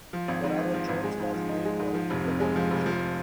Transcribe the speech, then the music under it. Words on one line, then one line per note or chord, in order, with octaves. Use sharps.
There are a total of eight rounds in the competition.
F3
G#1
G#2
G#1
F3
G#1
G#3
G#2
F3
D#4
G#3
G#2
F3
F1
F2
G#3
F3
F1
F3